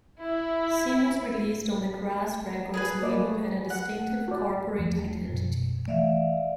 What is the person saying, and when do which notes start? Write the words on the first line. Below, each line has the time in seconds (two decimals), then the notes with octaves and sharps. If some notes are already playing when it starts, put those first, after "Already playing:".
Singles released on the Crass Records label had a distinctive 'corporate identity'.
0.20 E4
2.74 G#4 B4 G#5
3.03 A#3 D5 D#5
3.70 F#5
4.28 F#4 D5
4.78 E2 F3 A3
5.29 F#2 B2
5.88 E3 A3 D5 E5 F5